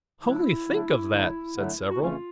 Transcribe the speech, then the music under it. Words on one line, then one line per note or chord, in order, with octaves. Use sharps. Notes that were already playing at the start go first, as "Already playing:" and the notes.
"Only think of that!" said several.
D3 F#3 A3 D4 E4
D3 F#3 A3 D4
D3 F#3 A3 D4
D3 F#3 A3 D4
F#4
F2 C#3 E3 A3 C#4 F4